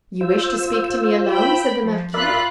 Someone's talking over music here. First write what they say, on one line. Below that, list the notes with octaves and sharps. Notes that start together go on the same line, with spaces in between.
"You wish to speak to me alone?" said the marquis.
F4 C5 E6
G5 B5
F3
F4 A#4 D5 E5 B5 F#6